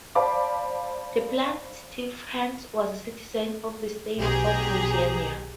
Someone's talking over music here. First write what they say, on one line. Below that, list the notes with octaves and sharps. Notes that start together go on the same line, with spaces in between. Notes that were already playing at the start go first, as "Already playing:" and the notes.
The plaintiff, Hans, was a citizen of the state of Louisiana.
C5 D5 F5 A5 B5 D6
B1 G4 G#4 A#5